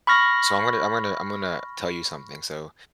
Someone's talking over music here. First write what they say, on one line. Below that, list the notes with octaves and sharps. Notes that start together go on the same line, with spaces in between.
so I'm gonna I'm gonna I'm gonna tell you something, so,
B5 C#6 F6 A#6